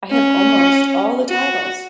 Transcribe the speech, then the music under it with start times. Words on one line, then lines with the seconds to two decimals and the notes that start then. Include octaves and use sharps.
I have almost all the titles.
0.11 C#4
1.29 F#4